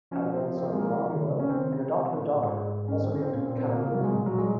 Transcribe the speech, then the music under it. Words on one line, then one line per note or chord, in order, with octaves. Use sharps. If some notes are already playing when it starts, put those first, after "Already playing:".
Had one son Romulo, and adopted a daughter, also named Catarina.
F3 C#4
C4
C4
A#3
G#3
A#3
D#3
C#3
C#4
D#3 C4
C#3
C3
A#2
G#2
C#4
C4
C#4
C4
A#2 C#4
C4
C4
A#3
C#3 A#3
C3 F#3
C3 G#3
A#2
F#3
G#3